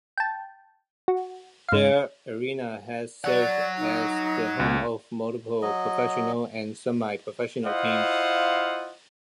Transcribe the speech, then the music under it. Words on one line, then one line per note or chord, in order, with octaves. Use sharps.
The arena has served as the home of multiple professional and semi-professional teams.
G5 A5
F#4
G#2 F5
C#5 D5 F#5
D#4
C#2
F#3 D#5
E4 F4 C5 D#5 F5 F#5